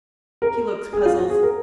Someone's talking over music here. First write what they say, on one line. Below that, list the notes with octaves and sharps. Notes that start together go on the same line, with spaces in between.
He looks puzzled.
A#4
G#4
F4
F#4
G#4
A#4